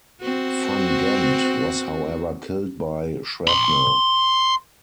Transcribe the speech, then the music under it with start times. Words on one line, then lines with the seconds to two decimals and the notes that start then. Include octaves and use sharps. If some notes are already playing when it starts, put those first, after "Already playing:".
Van Ghent was however killed by shrapnel.
0.22 C4 F#4
3.47 B5 C6